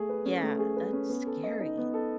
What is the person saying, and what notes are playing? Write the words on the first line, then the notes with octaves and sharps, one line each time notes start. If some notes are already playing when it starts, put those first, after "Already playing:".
Yeah, that's scary.
Already playing: A3 G#4
B4
C#4
A3
G#4
B4
C#4
B3
A4
D#5
D#4
B3
A4